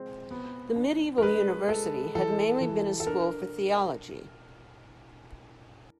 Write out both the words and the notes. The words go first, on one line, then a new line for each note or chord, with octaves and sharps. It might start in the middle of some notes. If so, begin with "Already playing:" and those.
The medieval university had mainly been a school for theology.
Already playing: G#3 C4
B3
D4
A#4
G#3 B4
G#3 A4
E3 A4
E3
A4
D4 A#4